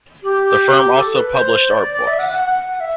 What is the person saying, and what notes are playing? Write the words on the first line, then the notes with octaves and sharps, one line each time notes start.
The firm also published art books.
G4
A4
B4
C5
D5
E5
F#5
F#5
F#5
E5